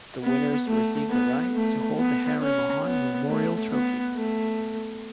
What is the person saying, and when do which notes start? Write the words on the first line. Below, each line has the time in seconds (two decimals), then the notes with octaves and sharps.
The winners receive the right to hold the Harry Mahon memorial trophy.
0.24 B3
0.68 A3
1.10 B3
1.55 A3
1.97 B3
2.41 C#4
2.85 B3
3.28 A3
3.71 B3
4.16 A3